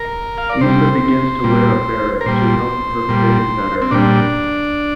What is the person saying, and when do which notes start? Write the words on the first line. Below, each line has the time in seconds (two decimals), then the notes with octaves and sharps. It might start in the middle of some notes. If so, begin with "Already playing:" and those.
Lisa begins to wear a beret to help her fit in better.
Already playing: A#4
0.38 F5
0.49 D5
0.61 C3 G3 C5
1.44 A#2 G3
2.21 A#4
2.26 A#2 G3 C5
3.09 A#2 G3
3.82 C4
3.91 A#2 G3 D4